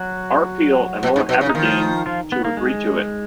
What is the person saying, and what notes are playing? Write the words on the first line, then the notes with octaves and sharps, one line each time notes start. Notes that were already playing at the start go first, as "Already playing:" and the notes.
R. Peel and Lord Aberdeen to agree to it.
Already playing: F#3 F#4
B2
G#2
B2
C#3
D#4
D#3 F3 F4
F3 F4
B3
A#3
G#3